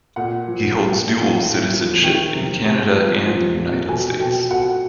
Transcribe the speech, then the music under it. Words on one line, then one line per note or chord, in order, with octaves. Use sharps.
He holds dual citizenship in Canada and the United States.
A#2 F#5
F3
A#2
A2
A2
F3
D#3 G5
C3
C3
F3
F3
A#2
B2 G#5
B2 G5
B2 F#5